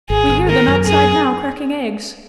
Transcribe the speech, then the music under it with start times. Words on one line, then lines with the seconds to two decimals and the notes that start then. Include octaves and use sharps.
We hear them outside now cracking eggs.
0.10 G#1 G#4
0.29 G#1
0.49 D#3 A#4
0.68 F#2
0.87 F#2 G#4